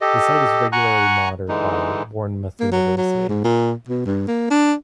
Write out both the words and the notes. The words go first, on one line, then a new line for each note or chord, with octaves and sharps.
The site is regularly monitored by Bournemouth University.
G4 A4 D#5
F#5 G#5 A#5 C#6 F#6
D3 E3 G#3 D#4
A#3
F#3
F#3
G#2
A#2
B2
G2
A#3
D4